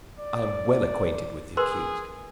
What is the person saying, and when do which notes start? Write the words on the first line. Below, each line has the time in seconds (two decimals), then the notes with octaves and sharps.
I am well acquainted with the accused.
0.20 D5
1.57 G#4 A#4 B4 C6